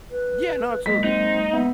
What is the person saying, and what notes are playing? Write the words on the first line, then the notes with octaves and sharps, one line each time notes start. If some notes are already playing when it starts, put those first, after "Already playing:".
Yeah, no, absolutely.
B4
F#3 G#3 A#3 D#5 B6
C4 D#4
B3 E5